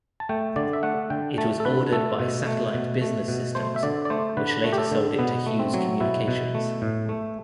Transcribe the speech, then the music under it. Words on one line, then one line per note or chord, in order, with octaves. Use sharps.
It was ordered by Satellite Business Systems, which later sold it to Hughes Communications.
A5
A3 G5
D3 D5
E5
A3 F#5
D3 G5
A3 A5
A4
D3 B4
A3 A4
B2
A3
B2
A3
B2
A3 C5
E5
D3 D5
D5
A3 C5
D3 B4
A3
G4
A4
D3
B2 B3
A3
C4
F#3
B2 E4
B2
A3
A2
A3